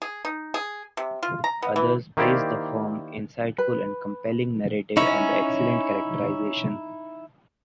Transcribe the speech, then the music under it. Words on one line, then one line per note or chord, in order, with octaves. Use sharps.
Others praised the firm, insightful and compelling narrative, and the excellent characterization.
G#4
D#4
G#4
C3
F4
A#5
B3
E3
D#3 A#3 E4 G4 C5 D5
B4
C#4 D#4 E4